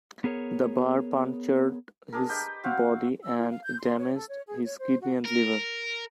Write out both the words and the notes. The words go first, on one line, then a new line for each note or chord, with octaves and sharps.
The bar punctured his body and damaged his kidney and liver.
B3 G#4 A#4 C#5
D4 G#4 A#4
G4 B4 D#5 G5
C4 F#4 F5 F#5
E6
F4
F5
G6
C6
C#5
A4
C#5
G#4
C#5
C5
F#4
A#4